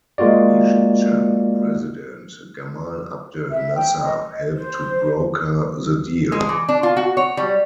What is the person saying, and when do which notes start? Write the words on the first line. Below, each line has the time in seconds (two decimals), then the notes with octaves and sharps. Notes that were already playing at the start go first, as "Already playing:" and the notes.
Egyptian president Gamal Abdel Nasser helped to broker the deal.
0.18 G#3 A#3 F4 F#4 D5
3.50 E5
3.73 G5
4.02 D#5
4.55 C5
6.32 G#3
6.49 E3
6.69 D4
6.83 F4
6.97 F#4
7.17 C#5
7.37 G3